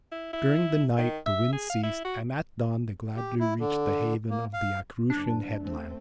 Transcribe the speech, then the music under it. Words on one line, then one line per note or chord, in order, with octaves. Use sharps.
During the night the wind ceased and at dawn they gladly reached the haven of the Acherusian headland.
E4
E4
D#3
E5
G#4
F5
E4
F#4
G4
E4
D3
A#3
F5
F#1 D4
A3 C4